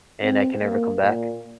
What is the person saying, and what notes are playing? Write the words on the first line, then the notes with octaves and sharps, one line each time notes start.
And I can never come back?
C4
A#3
A#2